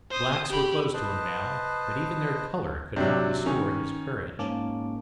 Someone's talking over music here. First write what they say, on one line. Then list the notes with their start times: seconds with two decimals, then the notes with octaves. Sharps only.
The blacks were close to him now, but even their colour could not restore his courage.
0.10 C5 D#6
0.49 G4 B5
0.94 B4 C5 D#5 A5
2.96 C3 F#3 D4
3.46 D#3 C#4
4.39 G#2 A#3 C#4 A5 D6